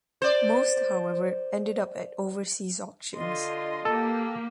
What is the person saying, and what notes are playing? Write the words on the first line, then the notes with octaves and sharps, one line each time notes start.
Most, however, ended up at overseas auctions.
C5 D5
D3 F4 D#5 C6
A#3 G4 A4